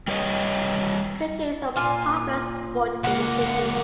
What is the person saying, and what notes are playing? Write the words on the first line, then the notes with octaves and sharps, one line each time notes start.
Cricket is a popular sport in the city.
G3 B4 C#5 D#5
A#2 F4 G#5
C#2 A#3 F#5